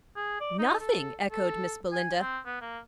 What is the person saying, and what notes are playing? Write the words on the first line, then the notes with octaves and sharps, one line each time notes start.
"Nothing!" echoed Miss Belinda.
G#4
D5
D#4
A4
A4
G#5
C4
B3
A#3